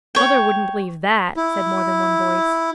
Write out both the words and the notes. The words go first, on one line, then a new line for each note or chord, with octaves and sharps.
'Mother wouldn't believe THAT,' said more than one voice.
C#5 G5
E4